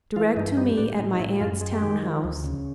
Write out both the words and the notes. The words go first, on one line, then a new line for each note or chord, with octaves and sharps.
Direct to me at my aunt's town house.
E3 F4
G2 D#4
G3 D#4
A2 D4
A2 D#4
D#4
A2 E4
F#2 F4
G#3
G4
D#3
F3
D2
C#3